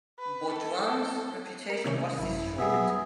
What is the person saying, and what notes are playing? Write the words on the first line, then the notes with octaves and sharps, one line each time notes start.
Beaudoin's reputation was destroyed.
B4
A4
A#4
C3 D#3 C#4
G#1 F#2 E4
B2 G3 B3 G#4 E5
F#3